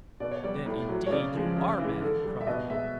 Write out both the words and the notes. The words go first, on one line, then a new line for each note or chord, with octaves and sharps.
"Then indeed you are mad," cried one.
B2 D5
C#5
G3 D5
A2
F#3
C#5
C#3 D5
F3 G#3
C#3
E3
G#3
D3
G3
E5
B2 D#5
G#3 E5